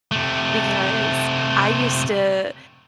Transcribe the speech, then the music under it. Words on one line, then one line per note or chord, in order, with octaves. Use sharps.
because I used to
C3 A3